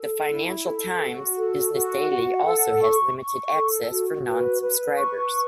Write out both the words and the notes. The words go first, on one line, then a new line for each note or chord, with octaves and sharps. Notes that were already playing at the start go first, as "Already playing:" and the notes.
"The Financial Times" business daily also has limited access for non-subscribers.
Already playing: A4
E4
A4
F#4
A4
F#4
F#5
A4
C#6
C#6
A4
F#4
B4
B4
C#6